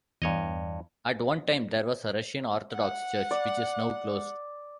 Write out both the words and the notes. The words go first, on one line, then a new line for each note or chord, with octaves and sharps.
At one time there was a Russian Orthodox church which is now closed.
E2 G2 C#5 D#5
F#5
D5